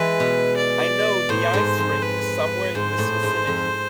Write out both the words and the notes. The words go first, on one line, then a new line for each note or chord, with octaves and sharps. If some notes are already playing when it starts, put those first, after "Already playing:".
I know the ice rink is somewhere in this vicinity.
Already playing: E3 G#3 B4
B2
D5
A2 C5
G#2
F2
B4
G#2 C5
A2
G#2
F2